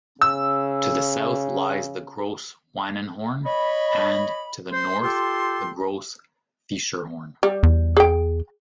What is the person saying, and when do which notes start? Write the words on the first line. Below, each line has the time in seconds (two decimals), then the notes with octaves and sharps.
To the south lies the Gross Wannenhorn and, to the north, the Gross Fiescherhorn.
0.21 C#3 E6
3.46 C#5 D#5 B5
4.72 C5 C6
5.03 F4 G4 A4 G5 C6
7.43 G3
7.63 E2
7.97 G#4 G5